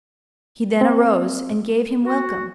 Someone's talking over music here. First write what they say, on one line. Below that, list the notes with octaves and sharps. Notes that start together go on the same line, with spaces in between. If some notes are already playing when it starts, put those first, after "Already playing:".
He then arose, and gave him welcome.
C4
F#4